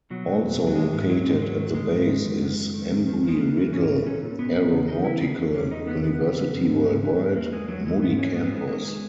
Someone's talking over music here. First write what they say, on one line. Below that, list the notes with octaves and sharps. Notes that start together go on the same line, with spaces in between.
Also located at the base is Embry-Riddle Aeronautical University-Worldwide: Moody Campus.
B2 F#3
B2
E2
E2
F#3
E3 G#3
G#2 G#3
G#2 F#3
G#2 G#3
G#2 F#3
D#3
D#3 G#3
G#2
D#3
F#2
F#2
F#2
D#3
D#3
D#3
D#3
G#3
E3 A#3
E3
G#2 C#4
E3
A#2 C#4
A#2
A#2 B3
A#2
C#3
C#3 D#4
C#3 E4
C#3 G#4
E2
E2 C#4
E2 D#4
E2 B3
E3 B3
C#3
C#3
F#2
G#2
G#2
E3
G#2
E2 A#3
E2 G#3
E2 F#3
E3 G#3
G#2 B3
G#2 C#4
G#2 B3
F#3
E3 G#3
D#3 G#3
D#3